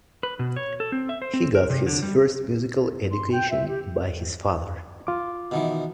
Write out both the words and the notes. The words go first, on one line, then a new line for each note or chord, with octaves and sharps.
He got his first musical education by his father.
B4
B2
C#5
A4
C4
E5
C5
C4
A#4
C3
D3
G3
C6
G5
E5
G4
F4 D6
B2 D#3 E3